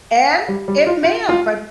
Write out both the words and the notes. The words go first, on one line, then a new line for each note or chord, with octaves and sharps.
And it may have, but
G3
G3
F4
F4
F4